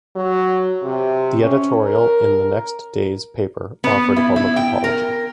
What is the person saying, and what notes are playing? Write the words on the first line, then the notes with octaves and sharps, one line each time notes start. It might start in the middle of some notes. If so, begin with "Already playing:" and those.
The editorial in the next day's paper offered a public apology.
F#3
C3
C#4
A#4
B3
E4
E4
G5
A#4